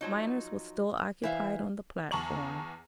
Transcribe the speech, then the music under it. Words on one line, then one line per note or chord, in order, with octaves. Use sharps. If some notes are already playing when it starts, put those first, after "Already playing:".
Mynors was still occupied on the platform.
F3 F#3 D#4
E3 C5 E5 F5
E2 A5 A#5 C#6 F#7